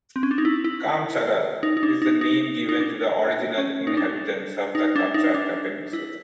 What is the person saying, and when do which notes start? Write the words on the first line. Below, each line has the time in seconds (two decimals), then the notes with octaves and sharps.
"Kamchadal" is the name given to the original inhabitants of the Kamchatka Peninsula.
0.16 C4
0.23 C#4
0.31 D4
0.38 D#4
0.45 E4
0.64 E4
1.63 D#4
1.77 D#4
1.83 D4
2.02 D#4
2.21 D#4
2.69 D#4
2.80 D4
3.58 C#4
3.87 D#4
3.97 D4
4.75 D#4
4.96 D4
5.14 D#4
5.35 D4
5.93 E4